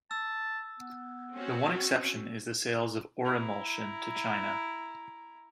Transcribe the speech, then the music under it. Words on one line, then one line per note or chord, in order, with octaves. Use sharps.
The one exception is the sales of Orimulsion to China.
A5 E6
B3
C4 C#4 F#4
E4 A#5